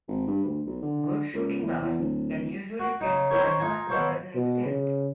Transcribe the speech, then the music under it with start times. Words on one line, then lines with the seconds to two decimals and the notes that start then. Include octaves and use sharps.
Good shooting guards can usually play point guard to a certain extent.
0.08 G#1
0.27 G2
0.45 D2
0.66 B1
0.82 D3
1.33 C#2
1.62 E2
1.81 E2
1.99 D1
2.79 F#4
3.01 C#3 D#4
3.31 E4 G4 A#4 C#5
3.43 D#3 C5 C#5
3.58 D#4 F4 G#5 A#5
3.89 D#3 B3 A4 C5 C#5 F5
4.35 B2
4.65 C#3